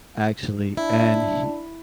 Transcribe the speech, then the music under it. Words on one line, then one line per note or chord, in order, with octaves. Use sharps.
actually, and he
D4 E4